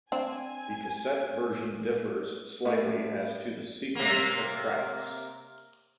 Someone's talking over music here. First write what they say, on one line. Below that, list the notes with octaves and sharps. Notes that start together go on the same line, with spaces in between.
The cassette version differs slightly as to the sequence of tracks.
C4 D4 G#5
A2
C3 A#3